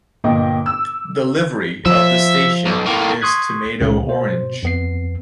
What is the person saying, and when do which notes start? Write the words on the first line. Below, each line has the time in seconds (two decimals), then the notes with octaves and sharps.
The livery of the station is tomato orange.
0.24 G1 A#2 D4 D#5 G5 D6
0.66 E6
1.86 F3 E5
2.65 B1
2.86 A2 A#3
3.21 C6 C#6 D#6 F#6 G#6 B6
3.81 C#2 A#2 C#3
4.07 B2 C5
4.63 F2 B3 C7